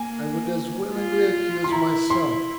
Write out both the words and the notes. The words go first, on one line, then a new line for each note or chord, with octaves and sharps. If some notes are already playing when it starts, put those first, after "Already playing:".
I would as willingly accuse myself!
Already playing: A#3 G#5
F4
C6
E4 A#5
C6